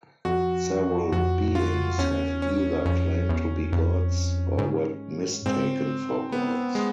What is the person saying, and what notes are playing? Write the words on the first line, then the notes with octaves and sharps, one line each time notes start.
Several beings have either claimed to be gods, or were mistaken for gods.
F2 F#4
F2 F#4
F4
E2 C#4
C#4
F2 C#4
E2
F2
G#2
G#2 C4
B3
G#3